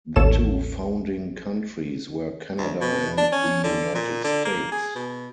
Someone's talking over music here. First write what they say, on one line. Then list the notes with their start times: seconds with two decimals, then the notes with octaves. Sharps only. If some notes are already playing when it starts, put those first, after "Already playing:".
The two founding countries were Canada and the United States.
0.16 A1 D#2 A#3 A4 C#5 E7
2.58 D2
2.81 B2
3.18 D4
3.32 C#4
3.64 D3
3.95 A#2
4.24 D3
4.45 A#3
4.72 G#4
4.95 B2